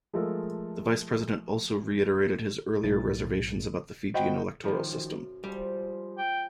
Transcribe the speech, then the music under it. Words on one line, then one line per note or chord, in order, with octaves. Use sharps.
The Vice-President also reiterated his earlier reservations about the Fijian electoral system.
F3 G#3 A3 F4 A4 A#4
B1 A2 A6
F#4 C5 D#5 G5 B5
G#2 D#3 F3 G#3 F5
F#2
F3 G3 G#3
G5